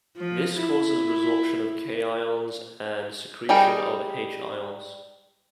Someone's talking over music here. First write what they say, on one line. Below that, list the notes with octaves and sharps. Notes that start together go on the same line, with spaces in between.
This causes resorption of K ions and secretion of H ions.
F3
E4
G3 D#4 G#4 A#4 G5